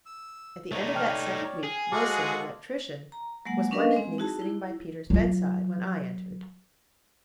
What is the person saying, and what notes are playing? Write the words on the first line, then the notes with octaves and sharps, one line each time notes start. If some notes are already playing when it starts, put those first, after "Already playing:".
At the end of that second week, Wilson, the electrician, was one evening sitting by Peter's bedside when I entered.
E6
A3 D#4 C#5 D5
G5 A5 F6
G#4
G#3 F4 F#4 A4 C5 A5 D6 F6
A#5
F#3 G#3 A#3 F#5
C#4 D4 A#4 B4 D#5 F5
G#3 C4
D#4 E4 F#4 G#4 A5
E4
F#3 F4